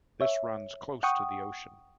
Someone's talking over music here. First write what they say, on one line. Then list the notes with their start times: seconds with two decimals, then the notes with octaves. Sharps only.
This runs close to the ocean.
0.21 C#5 E5
1.03 F#5 G5 C#6 D#6